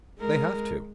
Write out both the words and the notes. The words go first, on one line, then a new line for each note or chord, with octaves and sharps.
They have to.
G#3 A#4